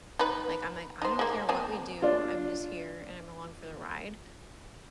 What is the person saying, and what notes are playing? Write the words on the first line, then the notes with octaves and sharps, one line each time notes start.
Like, I'm like, "I don't care what we do. I'm just here, and I'm along for the ride."
D#4 B4
D#4 C5
G#3 A#3
A#3 C4 G#4
D4 F4